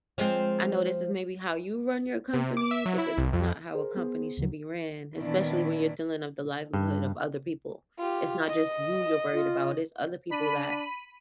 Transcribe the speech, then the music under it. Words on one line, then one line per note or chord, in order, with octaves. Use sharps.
I know this is maybe how you run your company, but this is not how a company should be ran, especially when you're dealing with the livelihood of other people." It's not just you you're worried about, it's other people that
F3 G#3 C4
C3
D6
E5
F#3
E4
C2
F2
G#4 A#4 C5
B3 G#4 C5
D2 C#3 F3 F#3
A#2 D#3 B3 C#4 D4 E4
G2
F4 G4
D#5
F4
D4 B5 D#7